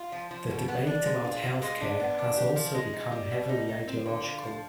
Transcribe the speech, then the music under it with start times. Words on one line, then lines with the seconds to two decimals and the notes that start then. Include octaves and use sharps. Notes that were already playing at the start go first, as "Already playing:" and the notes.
The debate about health care has also become heavily ideological.
Already playing: F4
0.12 F3
0.31 F3
0.50 B2
0.68 B3
0.87 D4
1.06 G#3
1.25 F4
1.43 F4
1.62 G#3
1.81 D4
2.00 B3
2.19 D4
2.37 G4
2.56 F3
2.75 G#3
2.94 D#4
3.12 G3
3.31 B2
3.49 D#4
3.69 D#4
3.87 C4
4.06 D3
4.25 F4
4.44 F3